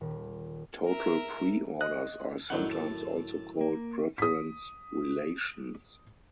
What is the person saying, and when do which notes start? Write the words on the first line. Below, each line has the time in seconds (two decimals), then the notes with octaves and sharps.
Total preorders are sometimes also called preference relations.
0.01 D#1
0.86 A#4 E5
1.81 D#5 F#6
2.50 F#2 A2 D#3 D4 D#4 F#5
2.71 A5
3.61 A#3
4.18 D#6 B6